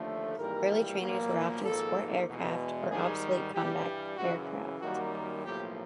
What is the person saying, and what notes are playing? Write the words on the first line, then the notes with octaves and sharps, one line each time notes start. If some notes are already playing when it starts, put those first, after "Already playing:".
Early trainers were often sport aircraft or obsolete combat aircraft.
Already playing: D#2 D3 F3 A3
G#1 G#2 E3 G3 A#3 A#4
B1 A#2 F3 A#3
G#1 G#2 F3 A#3 A4
E2 B2 G#3
G#2 D#3 G3 G#4
G2 E3 G3 G4
F#2 C#3 E3 F#4
F#2 D#3 G3 A#3 F#4
B1 A2 F3 A#3 G4